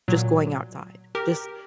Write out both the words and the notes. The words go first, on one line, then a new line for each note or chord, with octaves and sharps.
just going outside. Just
A#2 F#3
G4 A#4